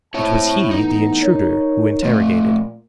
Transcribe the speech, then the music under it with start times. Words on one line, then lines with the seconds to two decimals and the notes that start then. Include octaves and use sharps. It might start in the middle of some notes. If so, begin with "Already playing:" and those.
It was he, the intruder, who interrogated.
0.14 C4 E4 C#5 E5 A5
0.71 E3 A3 B3 D#4
1.21 A#4 C#5
2.03 A#2 F3 A3